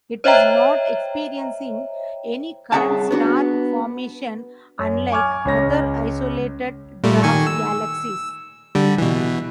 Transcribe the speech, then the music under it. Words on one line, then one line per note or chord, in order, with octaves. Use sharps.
It is not experiencing any current star formation, unlike other isolated dwarf galaxies.
C5 C#5 D#5 E5 G5 A#5
C2 C#4 G#4 E5 F#5 A5
B3 D4 F#4
F#2
G#5 C#6 D6 F6 G#6
C#2 C#4 A#6
A#2 G3 A3
D#3 G#5 C#6
E6
D3 G3
B2 E3